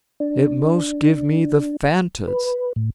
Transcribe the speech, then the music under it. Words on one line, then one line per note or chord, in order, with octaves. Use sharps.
It most give me the fan-tods.
D4
B4
A2